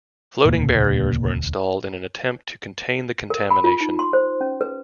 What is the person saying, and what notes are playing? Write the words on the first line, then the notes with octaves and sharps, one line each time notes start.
Floating barriers were installed in an attempt to contain the contamination.
E1 D2 A#2 C#3 A#3
A#4
B5
F4
D#4
C6
C5
C#4
B4